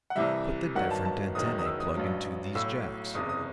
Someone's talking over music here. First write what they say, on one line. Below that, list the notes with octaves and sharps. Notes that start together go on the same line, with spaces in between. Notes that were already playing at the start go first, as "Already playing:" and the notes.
Put the different antennae plug into these jacks.
F#5
C2 C3 E3 G3 E5
G1 G2 D#3 F#3 F#5
A5
A5
F#1 E2 D#3 F#3 D#6
D#6
E6
D#6
A1 G2 F#3
B1 A2 F#3 E6
F#1 E2 C3 D#6
D#6